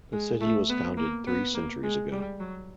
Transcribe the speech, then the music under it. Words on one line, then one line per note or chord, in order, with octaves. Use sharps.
The city was founded three centuries ago.
G#3
A3
B3
A#3
B3
A#3
G#3
G3
F#3